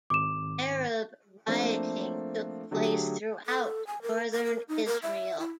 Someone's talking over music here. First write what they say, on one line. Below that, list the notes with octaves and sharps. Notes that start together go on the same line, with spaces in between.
Arab rioting took place throughout northern Israel.
G#1 D6 E7
F3 A3 A#3 C4 D4
D3 F#3 A3 G4 G#4
A4
G#5
A#4
A#4
A#4
D#4
A#4
E5
E4